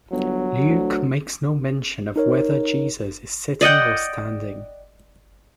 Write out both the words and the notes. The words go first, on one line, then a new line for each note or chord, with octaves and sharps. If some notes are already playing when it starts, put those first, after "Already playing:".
Luke makes no mention of whether Jesus is sitting or standing.
G1 F#3
D2
D#4 A#4 C#5
D5 D#5 F#5 G5